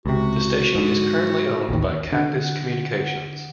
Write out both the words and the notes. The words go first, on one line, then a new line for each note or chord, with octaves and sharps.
The station is currently owned by Cactus Communications.
C#2 C3 F#4
G#2 D3
A1 D#2 D#3
D3 F#5